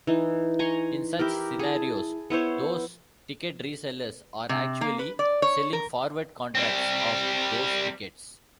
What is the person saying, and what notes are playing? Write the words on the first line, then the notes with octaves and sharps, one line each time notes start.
In such scenarios, those ticket re-sellers are actually selling forward contracts of those tickets.
E3 D#4
G#5 A#5 C6 C#6
E4 G4 A#4
G#4 A5
B3 E4 C5 C#5
C3
A#3
B4
D5
C#5
A#4
G3 C4